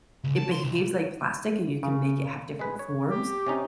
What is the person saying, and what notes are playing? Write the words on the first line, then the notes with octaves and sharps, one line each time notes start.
it behaves like plastic, and you can make it have different forms,
C#2
A5
C6
C2
C#3
G#3 G#4 B4
C#5
G4
C3 C#4 D#4